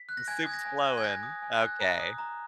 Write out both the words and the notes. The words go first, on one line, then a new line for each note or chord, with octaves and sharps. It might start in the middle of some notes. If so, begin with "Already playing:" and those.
"The soup's flowing." Okay.
Already playing: B6
F#6
A#6
G#5 G#6
D#6 G#6
A#6
G#5
F#6
G#6
G#5 A#6
D#6
G#5
F#6
A#5
D#6
A#5